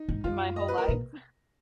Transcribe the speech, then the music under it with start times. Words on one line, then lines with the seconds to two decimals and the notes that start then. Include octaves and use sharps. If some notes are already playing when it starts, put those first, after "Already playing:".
in my whole life. S
Already playing: D#4
0.09 G#2
0.24 F#2 F4
0.56 D#5
0.68 B4
0.78 A#4
0.88 A#2